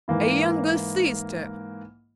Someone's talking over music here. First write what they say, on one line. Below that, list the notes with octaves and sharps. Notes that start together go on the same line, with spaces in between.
A younger sister!
G#2 E3 A#3 E4